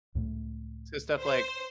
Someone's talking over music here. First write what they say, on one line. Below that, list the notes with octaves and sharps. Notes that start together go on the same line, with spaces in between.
So, stuff like
C#2 A2 A3
C5